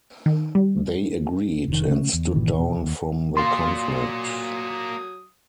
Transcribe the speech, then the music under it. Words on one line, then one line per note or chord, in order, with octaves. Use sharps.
They agreed, and stood down from the conflict.
D#3
G3
F1 D#3
C#3 A3 C#4
E2
G1 A#2 D#3 E3
E2 B2
D#2
F#3 A#3 D5 F5 C6 D#6